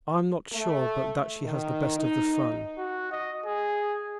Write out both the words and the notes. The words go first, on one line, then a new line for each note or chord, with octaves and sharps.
I'm not sure but that she has the best of the fun.
A3
D#3
D#4
F#4
D#5
G#4